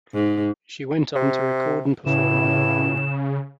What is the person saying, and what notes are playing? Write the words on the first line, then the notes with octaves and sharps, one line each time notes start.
She went on to record and perform on her own.
G#2
C3
A2 C#3 E3 E7